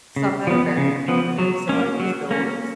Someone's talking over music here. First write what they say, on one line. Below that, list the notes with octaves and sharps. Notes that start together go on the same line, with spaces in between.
some that are very informative, so I use those.
C#3
F3 B3
C#3
F3 B3
F#3
A#3 C#4
F#3
A#3 C#4